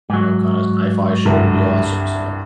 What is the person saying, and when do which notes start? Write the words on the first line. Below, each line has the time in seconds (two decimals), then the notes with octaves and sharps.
you know, kinda sci-fi show would be awesome, so.
0.10 G#2 F#3
1.25 C2 G2 D3